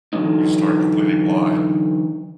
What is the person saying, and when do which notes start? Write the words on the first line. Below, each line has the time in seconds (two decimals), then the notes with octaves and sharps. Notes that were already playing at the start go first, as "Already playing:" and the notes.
you start completely blind
0.13 D3 E3 F#3 A3 D#4